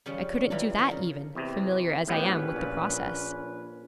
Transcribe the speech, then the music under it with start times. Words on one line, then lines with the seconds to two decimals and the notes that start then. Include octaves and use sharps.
I couldn't do that even, familiar as I am with the process.'
0.06 C#3 F3 G3 C#4
0.34 C#4
0.50 E3 G3 D4 F4 A#5
0.79 F3
0.91 C#3 A#4
1.35 E2 C3
2.08 A#1 A2 B3 C#4 G4 B4
2.56 A#2